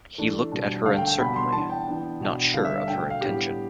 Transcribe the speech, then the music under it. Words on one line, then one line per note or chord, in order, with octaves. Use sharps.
He looked at her uncertainly, not sure of her intention.
E3 A3 D4
B2 G3 D4
D3 A3 D4 F5
G5
G5
B2 G3 B3 D4 B5
C6
E3 B3 D4 A5
G5
E3 B3 D4
B2 B3 D4
D3 G3 D4 F5
E5
F5
B2 A3 D4 G5
F5
A2 G3 B3 D4 G4